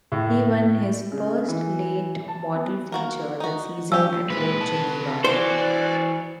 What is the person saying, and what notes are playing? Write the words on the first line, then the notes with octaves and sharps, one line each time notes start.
He won his first late model feature that season at Lake Geneva.
A2
C#3
E3
A5
B3
A#3 F#4 A#4
D#4 F#4
F3 C#4 G4 E6
A#2 G#3 B4
C3 A5
E3 F#4 C5 D5